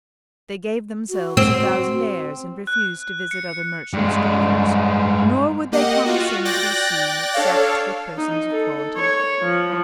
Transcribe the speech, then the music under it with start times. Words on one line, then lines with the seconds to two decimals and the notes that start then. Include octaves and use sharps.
They gave themselves a thousand airs, and refused to visit other merchants' daughters; nor would they condescend to be seen except with persons of quality.
1.10 F#4
1.37 C4
2.67 F#6
3.31 C#7
3.93 G2 G#3
5.72 A#3 G4 D#5 F#5
6.06 F4 F#4
6.45 D5 G5 F#6 A6 A#6
7.34 D4 A4 C#5 F5
8.17 D#4
8.51 A4
8.96 C#5
9.42 F3